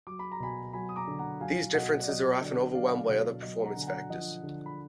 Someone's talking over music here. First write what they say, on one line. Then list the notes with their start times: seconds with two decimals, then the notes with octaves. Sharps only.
These differences are often overwhelmed by other performance factors.
0.07 F#3 D6
0.19 B5
0.32 A#5
0.40 B2 G#5 B5
0.73 F#3 G#5 B5
0.89 D#6
0.96 A#5 D6
1.07 D3
1.19 F#5 A#5
1.41 F#3 F5 G#5
1.74 B2 D#5 F#5
2.03 D5
2.08 F#3 D#5
2.41 D3 D5
2.75 F#3 D5 F5
3.08 B2
3.42 F#3 D#5
3.64 F#5 A#5
3.76 D3 G#5
3.87 F#5 A#5
4.10 F3 D#5 F#5
4.43 D3
4.66 B5